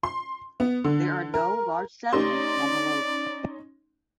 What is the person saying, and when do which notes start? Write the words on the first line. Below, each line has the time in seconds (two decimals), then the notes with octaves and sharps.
There are no large settlements on the lake.
0.03 C6
0.60 B3
0.84 D3
1.34 A#4
2.13 A3 C#4 D#4 G4 D5 C6